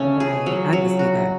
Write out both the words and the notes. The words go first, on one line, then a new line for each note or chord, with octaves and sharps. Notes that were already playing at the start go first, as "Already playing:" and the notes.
Right. I could see that.
Already playing: C#3 A3 C#4
G#4
F#3
F#3
F#4